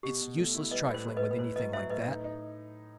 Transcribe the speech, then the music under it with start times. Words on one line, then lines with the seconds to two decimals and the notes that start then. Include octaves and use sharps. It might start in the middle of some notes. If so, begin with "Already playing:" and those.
It's useless trifling with anything like that.
0.03 B2 G4
0.21 B2
0.38 A3
0.54 E4
0.71 G3 B4 D#5
0.88 A2
0.94 C5
1.06 A2
1.17 B4 D#5
1.23 B3
1.31 B4
1.39 A2 C5
1.56 F#3 B4 D#5
1.73 F#3 C5 E5
1.90 A2 B4 D#5
2.07 D#4
2.24 D#4